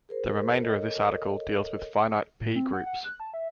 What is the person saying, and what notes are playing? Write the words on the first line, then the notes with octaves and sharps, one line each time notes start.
The remainder of this article deals with finite "p"-groups.
G#4 A#4 C5
A4 A#4 C#5 D#5
A2
C4
F#5
F#5
F#6
A5
E5